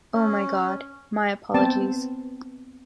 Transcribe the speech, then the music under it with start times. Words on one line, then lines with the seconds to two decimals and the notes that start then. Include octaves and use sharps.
Oh my God, my apologies.
0.14 C#4
1.54 B3 C4 A5